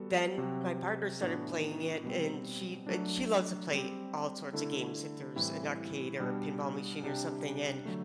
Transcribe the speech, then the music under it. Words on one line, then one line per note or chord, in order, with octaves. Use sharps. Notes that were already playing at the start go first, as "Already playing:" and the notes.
then my partner started playing it, and she uh, she loves to play all sorts of games if there's an arcade, or a pinball machine, or something, and
Already playing: G3 B3 F#4 A4
C3 F#3 C4 F#4
A2 E3 B3 D4 F#4
B2 G3 C4
F#3 A3 D4
G3 C4 G4
D3 A3 E4 A4
A2 E3 G3 C4 E4
B2 G3 D4
C3 G3 D4 G4
D3 F#3 A3